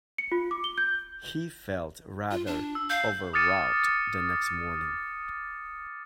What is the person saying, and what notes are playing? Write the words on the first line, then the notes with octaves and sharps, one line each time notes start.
He felt rather overwrought the next morning.
C#7
F4
D6
G7
G6
F4
D4
E6
F5 G6
D6 D#6 F6 A6 C#7 D#7